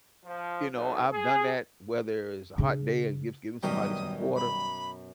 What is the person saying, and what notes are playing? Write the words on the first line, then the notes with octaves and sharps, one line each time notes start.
you know, I've done that, whether it's a hot day or just giving somebody some water
F3
B1
G#4
C#3 D4
F#2 B2 D#3 G3 D#6
B5